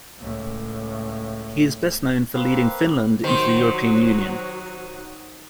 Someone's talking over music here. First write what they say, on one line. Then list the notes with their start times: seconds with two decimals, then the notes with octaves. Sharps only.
He is best known for leading Finland into the European Union.
0.19 C#2 A2
2.34 A#3 C4 B4 F5
3.24 D#3 F#3 F#4 C5